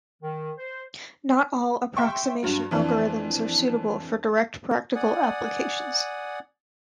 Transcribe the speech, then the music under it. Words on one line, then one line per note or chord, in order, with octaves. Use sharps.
Not all approximation algorithms are suitable for direct practical applications.
D#3
C5
E5 G5 C6 C#6
G2 F#3
F2 E3 D4
D5 F#5 G#5 D#6